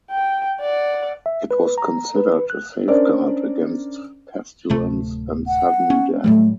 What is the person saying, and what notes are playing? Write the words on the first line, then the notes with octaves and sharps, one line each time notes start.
It was considered a safeguard against pestilence and sudden death.
G5
D5 F#5
E5
B4
A#5
B4
F#6
C#4 D4 A#4 C5 D5
D1 C3 A3
F#5
C#4
A2 F#3 G3 A3